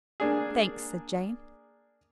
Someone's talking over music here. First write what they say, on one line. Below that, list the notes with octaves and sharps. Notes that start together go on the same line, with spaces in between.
"Thanks," said Jane.
A#3 D4 G#4